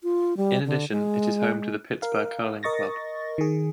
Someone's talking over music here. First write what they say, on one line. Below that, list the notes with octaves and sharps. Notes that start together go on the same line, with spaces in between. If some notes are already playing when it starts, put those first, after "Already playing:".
In addition, it is home to the Pittsburgh Curling Club.
F4
G3
D3
G#3
A#4 F5
A#4 D#5 C#6 A6 A#6
D#3 G#4